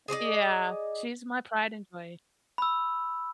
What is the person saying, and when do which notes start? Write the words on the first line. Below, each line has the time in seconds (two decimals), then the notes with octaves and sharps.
Yeah. She's my pride and joy.
0.08 G#4 C5 D5 D#5
2.58 B5 E6